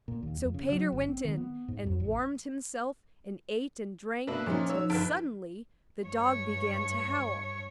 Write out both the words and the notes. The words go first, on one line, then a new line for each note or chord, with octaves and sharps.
So Peter went in and warmed himself and ate and drank, till suddenly the dog began to howl.
A#2
D#2
F2
C#3
F#3
G1
C4
D#3
B3
G#2
F2
A1
B2 A#3 D4 B4 E5
A#2 F3 C#4 D#4
C#5 E6
G1 B4 A5 F6
G2 C#5